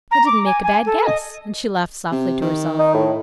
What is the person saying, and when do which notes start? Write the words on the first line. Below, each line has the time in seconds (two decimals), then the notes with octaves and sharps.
"I didn't make a bad guess;" and she laughed softly to herself.
0.11 A#5
0.26 D6
0.45 G#5
0.63 G#5
0.86 A4
1.05 D#5
2.11 C3
2.42 D#3
2.79 D#4
2.94 A2